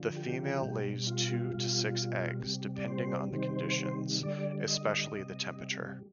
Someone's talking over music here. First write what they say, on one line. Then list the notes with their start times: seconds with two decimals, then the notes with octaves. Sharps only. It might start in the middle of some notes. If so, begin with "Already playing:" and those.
The female lays two to six eggs, depending on the conditions, especially the temperature.
Already playing: D3 F3
0.16 G4
0.62 B2 G3
1.07 F4
1.53 B2 G3
2.42 C3 G3
2.76 D5
2.88 C5
3.32 C3 D#3 G3 C5
4.22 D3 G3 D5
4.68 D#5
5.13 C3 G3